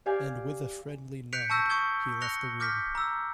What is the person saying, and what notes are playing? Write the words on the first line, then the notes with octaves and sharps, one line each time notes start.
And, with a friendly nod, he left the room.
G4 D5 F5 G#5
F#6 G6 B6 C#7 D7 F7
A5 C#6 E6 G6 A#6
C#6 D#6 G#6 G7
F#6 A#6 C#7 F7 G7
D6 F6 G6 A#6 B6
A#5 E6